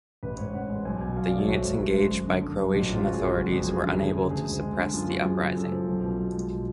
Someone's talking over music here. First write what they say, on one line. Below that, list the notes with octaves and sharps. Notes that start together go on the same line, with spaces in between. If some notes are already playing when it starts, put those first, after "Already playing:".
The units engaged by Croatian authorities were unable to suppress the uprising.
A1 B4
G#2 C#5
A1 F#5
G#3
B1 G#5
B2 G#5
B1 F5
A3 D5
C#5
G#1 F#4
G#2
G#1
G#3
F#2
D3
F#2
F#3
A1
G#2 F4
A1 F#4
G#4
G#3 F#4
F#1
F2
F#1 G#4
D3
D2 G#4
C#3
D2 G#4
G#3
G#3
D3
F#2 F4
F3 F#4
F#2 G#4
C#3
F#2 A4
F3
B1
B2
B1
G#3